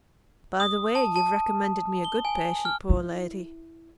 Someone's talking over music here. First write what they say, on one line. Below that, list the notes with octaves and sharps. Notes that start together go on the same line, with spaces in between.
'By the way, you've recommended me a good patient, poor lady!
D#6
A5
A5
G7
G#5
F6
E4